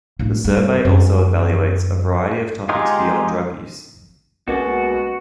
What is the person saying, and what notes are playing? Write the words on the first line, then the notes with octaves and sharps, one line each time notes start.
The survey also evaluates a variety of topics beyond drug use.
A2 D4
G2
F#2
G#3 D#4 F4 G4 G#4
B1 B2 G#3 A#3 C#4 F#4 A6